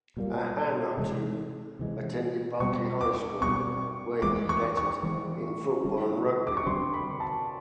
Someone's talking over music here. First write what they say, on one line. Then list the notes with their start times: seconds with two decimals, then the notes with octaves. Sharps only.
Ahanotu attended Berkeley High School where he lettered in football and rugby.
0.17 A#2 G3 A#3
0.97 C3 E3 G#3
1.79 C3 E3 G#3
2.60 B2 G3 C4 C#6
3.01 D6
3.41 B2 G3 C4 C#6
4.22 E3 G#3 C4 D6
4.49 C#6
4.77 C#6
5.03 E3 G#3 C4
5.84 D3 G3 C4
6.47 D6
6.57 C#6
6.66 D3 G3 C4 C6
6.94 B5
7.20 A5